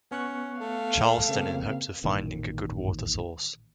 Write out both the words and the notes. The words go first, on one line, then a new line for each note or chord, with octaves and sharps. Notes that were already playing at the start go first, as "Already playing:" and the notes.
Charleston in hopes of finding a good water source.
B3 C#4 C#6 F#6
A3 F5
C#3 A#3 C4
A1 A#2 D#3